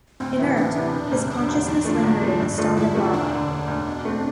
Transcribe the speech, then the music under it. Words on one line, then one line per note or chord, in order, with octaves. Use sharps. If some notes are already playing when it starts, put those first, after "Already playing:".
Inert, his consciousness lingered in the stone and lava.
D2 C4
C3 E3 B3 E4
D2 D4
C3 E3 B3 E4
E1
D2 C3 G3
E1 D4
D2 C3 G3
E2 D4
D3 F3 A3
E2
D3 F3 A3
G2
D3 F3 A3
G2 E4
D3 F3 A3
E1 D4
D2 D3
E1
D2 D3
B2
A3 C4